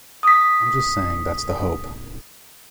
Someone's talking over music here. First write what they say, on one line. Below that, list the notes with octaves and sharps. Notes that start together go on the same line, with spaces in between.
I'm just saying that's the hope.
D#6 B6